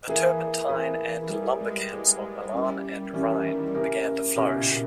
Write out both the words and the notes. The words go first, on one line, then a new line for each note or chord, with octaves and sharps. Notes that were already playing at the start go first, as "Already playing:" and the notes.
The turpentine and lumber camps of Milan and Rhine began to flourish.
E3 A#3 E4 G#4 B4
E3
A#3 E4 G#4 B4
G3 A#3 E4 G#4 B4
G#3
G3
G#3
G3 A#3 E4 G#4 B4
A#3 C#4 E4 G4 A#4
E3 A#3 C#4 E4 G4 A#4
D#3
C#3 A#3 C#4 E4 G4 A#4
B2 A#3 C#4 E4 G4 A#4
A#2